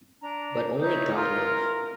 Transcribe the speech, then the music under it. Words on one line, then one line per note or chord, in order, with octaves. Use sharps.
But only God knows.
D4 A#5
D#4 E4 C#5 G6
E4 F4 A#4